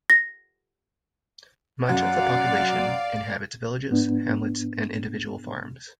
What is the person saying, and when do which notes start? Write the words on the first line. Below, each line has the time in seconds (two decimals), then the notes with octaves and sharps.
Much of the population inhabits villages, hamlets and individual farms.
0.10 A#6
1.89 F#2 D5 F5 F#5
3.91 G#2 B3 D4